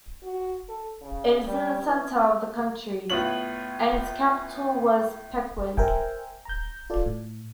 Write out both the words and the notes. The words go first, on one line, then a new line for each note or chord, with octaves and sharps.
It is in the centre of the country, and its capital was Peqin.
F#4
A4
C#3
G3
E3
A2 B3 F4 C#5 F#7
A#4 C5 E5 G5 G#5
A#5 G6
F4 A4 D5
A2